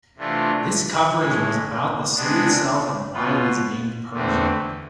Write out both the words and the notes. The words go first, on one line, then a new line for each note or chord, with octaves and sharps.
This coverage was about the city itself and why it is named Persia.
C3 E3 A3 D4 F4
A2 E3 G#3
C3 G#3 B3 D4
B2 B3 F4
E2 D3 A3 C4